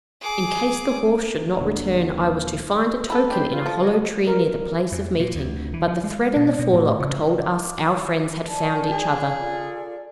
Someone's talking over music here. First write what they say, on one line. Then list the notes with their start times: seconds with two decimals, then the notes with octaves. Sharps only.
In case the horse should not return, I was to find a token in a hollow tree near the place of meeting; but the thread in the forelock told us our friends had found each other.
0.21 G#4 D6
1.58 D#1 A#2 D3
3.10 A4 B4
3.30 D4 G4 B4 C5
3.52 F4
3.66 F3 A4 A5
3.83 F#4 G#4 D#5
4.27 A#4
4.92 F2
5.19 A#2
5.35 D2
5.73 E3
5.88 F3
6.04 G#3
6.36 B2
6.59 B2
6.73 A2
7.00 C#3
7.39 D6
8.47 D5 G#5 A5
8.92 G#4
9.36 F4 A4 D5